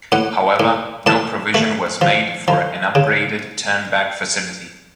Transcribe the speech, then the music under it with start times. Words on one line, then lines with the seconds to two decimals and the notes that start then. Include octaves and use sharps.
However no provision was made for an upgraded turnback facility.
0.12 A2 F#5
0.60 A2
1.06 A2 A5
1.54 A3
2.01 F3
2.48 F3
2.95 C#3